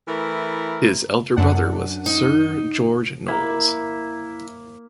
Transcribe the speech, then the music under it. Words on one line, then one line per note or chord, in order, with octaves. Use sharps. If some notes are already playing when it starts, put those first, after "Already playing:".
His elder brother was Sir George Knowles.
E3 A3 E4 A#4
F#2 D4 F#5
D#4
A#3 E4